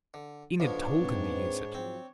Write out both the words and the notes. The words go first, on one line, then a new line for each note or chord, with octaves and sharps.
"Enid told him to use it."
D3
B1 D3 F3 D4 C#5
G#2 C4 B4
F3 F#3 C4